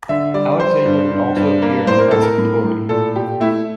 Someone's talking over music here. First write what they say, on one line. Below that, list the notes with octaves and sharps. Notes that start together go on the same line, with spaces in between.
Alexander could also appear a classic Tory.
D3 E5
G3 D5
G3 C5
G2
G2
G2
A#3
A2 C5
A#4
A2 A4
A#4
A2
A2
A#2 A4
A#2 G4
A3 E4